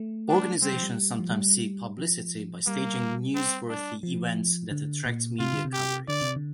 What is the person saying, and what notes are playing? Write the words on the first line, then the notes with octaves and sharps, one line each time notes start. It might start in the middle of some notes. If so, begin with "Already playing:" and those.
Organizations sometimes seek publicity by staging newsworthy events that attract media coverage.
Already playing: A3
D4
G3 C4
F3
G3
F3
G3
F3
G3 A#3
C4
D4
F3
D3
A#2
C3 F4
D3
C3
G4
D3 D5
C3
D3